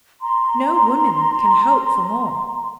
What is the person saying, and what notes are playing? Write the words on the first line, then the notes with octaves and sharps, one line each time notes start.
No woman can hope for more.
A#5 C6